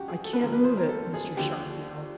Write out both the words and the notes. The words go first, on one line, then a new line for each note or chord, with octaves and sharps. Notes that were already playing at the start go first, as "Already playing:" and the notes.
"I can't move it!" Mr. Sharp yelled.
Already playing: G1 F3 F#4 G4
G#4
A4
B4
D#2 D3 F3 A#4
B4
C5
A#4
A4
G#4
D#2 D3 F3 G4